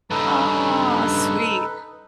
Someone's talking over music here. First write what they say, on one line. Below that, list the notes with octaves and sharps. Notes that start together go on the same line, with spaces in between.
aw, sweet.
G2 C#3 D#4 A4 B4